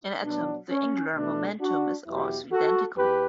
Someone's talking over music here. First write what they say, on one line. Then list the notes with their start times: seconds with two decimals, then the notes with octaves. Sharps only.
In atoms the angular momentum is also identical.
0.25 B2 F#3 B3 D4
0.71 C#4
1.16 B2 A3 D4
1.61 D4 F#4
2.07 E2 B2 F#3 B3 E4 G4
2.52 F#4 A4
2.97 E2 G4 B4